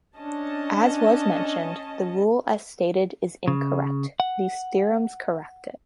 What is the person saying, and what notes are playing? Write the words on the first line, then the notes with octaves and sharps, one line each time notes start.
As was mentioned, the rule as stated is incorrect; these theorems correct it.
C#4 D4 D#5 A5
C#3
F#5